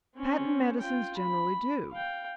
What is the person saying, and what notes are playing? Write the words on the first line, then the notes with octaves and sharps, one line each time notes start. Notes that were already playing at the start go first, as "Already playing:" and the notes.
Patent medicines generally do.
C4 C#4
F4 G5
B5
F5 G5